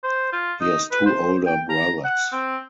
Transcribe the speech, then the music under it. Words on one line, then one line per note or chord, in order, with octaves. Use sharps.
He has two older brothers.
C5
F4
D#4
B4
C5
G5
A#5
F#5
C4